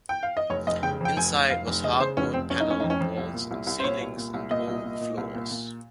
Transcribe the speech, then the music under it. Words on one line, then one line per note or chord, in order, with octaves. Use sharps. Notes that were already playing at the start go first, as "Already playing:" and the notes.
Inside was hardwood panelled walls and ceilings and oak floors.
G5
F5
D#5
F1 C#5
F1 D#5
C#3 G5
F2 G5
F1 G#5
F1
F1 F5
F1
C#3 D#5
C#3 C5
F1 C#4
F1 C4
F1 C#4
D#4
F1 C#4
F2 D#4
C#4
F2
C2
A#2
C2
C2
C5
A#2 C#5
C2
A#2
C2
A#2 D#5
C2
A#2
A#2
C2
A#2
A#2